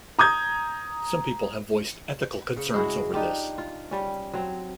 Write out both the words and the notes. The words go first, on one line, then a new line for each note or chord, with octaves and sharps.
Some people have voiced ethical concerns over this.
A#5 D#6 G6 G#6
C#3
G#3 E4 F#4 G#4
D4 D#4 F4 G4
F4
G3 C#4
F#3 C4